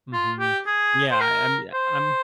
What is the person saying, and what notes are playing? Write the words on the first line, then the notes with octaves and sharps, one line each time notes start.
Mhm. Yeah, um, yeah, um
F4
G4
G#4
C5
A#4
C5